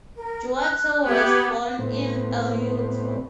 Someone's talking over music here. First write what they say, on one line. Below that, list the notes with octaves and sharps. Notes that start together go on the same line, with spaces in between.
Duarte was born in El Yuto.
A#4
F#6
B3 G4 D6 G#6
A2 B3 C4